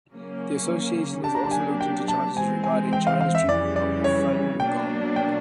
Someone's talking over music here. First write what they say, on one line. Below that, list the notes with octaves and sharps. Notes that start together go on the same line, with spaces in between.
The association has also looked into charges regarding China's treatment of the Falun Gong.
C#3 F#3 A#3 C#4
F#3 A#3 D4 G4 A5
A#5
A5
G#5
G5
A5
E3 G#3 C4 G#5
G#5
G5
F5
F5
E5
F2 C#3 E3 G3 D5
D5
C#5
B2 F#3 A#3 D4 G5
G5